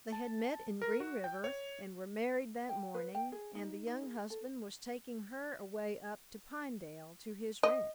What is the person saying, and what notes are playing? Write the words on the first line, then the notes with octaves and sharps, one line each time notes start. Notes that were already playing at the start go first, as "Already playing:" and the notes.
They had met in Green River and were married that morning, and the young husband was taking her away up to Pinedale to his ranch.
A5
A#4
F#4
G5
C#5
G5
B4
G5
G#4
D#4
D#4
G#4
A4
D#5